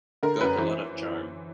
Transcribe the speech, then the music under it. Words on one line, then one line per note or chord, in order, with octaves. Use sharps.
Got a lot of charm.
D3 A#4
F#2 B4
E3 C5